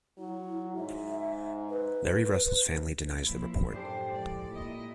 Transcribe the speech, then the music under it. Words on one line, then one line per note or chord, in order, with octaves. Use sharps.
Larry Russell's family denies the report.
F#3 E4
G#2 E5
B4
A#2 F3 E4
F#2 A2 D4 G4 C5
F3 G#3 D5
A#2 E4 D#5